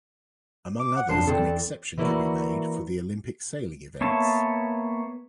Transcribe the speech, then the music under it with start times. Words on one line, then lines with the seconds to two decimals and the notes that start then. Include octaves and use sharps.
Among others, an exception can be made for the Olympic sailing events.
0.79 D6
0.96 F#5
1.09 F2 D4 A5 C6
1.27 E2 C4 A4 D5
1.98 E3 A3 A#3 E4 F#4 D5
4.01 A#3 B3 C#5 E5 A5